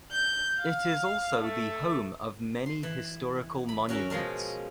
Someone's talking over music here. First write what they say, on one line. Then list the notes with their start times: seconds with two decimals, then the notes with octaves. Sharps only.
It is also the home of many historical monuments.
0.11 G6
0.60 F5
1.43 A3
2.66 C6
2.83 E3
3.69 B5
3.89 C#4 F#4 A#4 E5
4.10 B2 F3 G#3 A#4